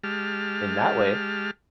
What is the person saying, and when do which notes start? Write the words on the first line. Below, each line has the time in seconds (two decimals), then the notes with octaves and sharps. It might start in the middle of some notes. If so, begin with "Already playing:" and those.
in that way.
0.04 G#3 G4 A5 F6